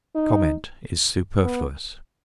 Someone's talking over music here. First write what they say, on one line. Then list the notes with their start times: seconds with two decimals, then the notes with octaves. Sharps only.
Comment is superfluous.
0.15 D#4
1.43 B3